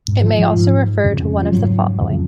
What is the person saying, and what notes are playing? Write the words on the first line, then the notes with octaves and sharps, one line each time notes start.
It may also refer to one of the following.
G#2
F3
F3
G#2
F2 C#3
F3
G#2 F#3
F2 C#3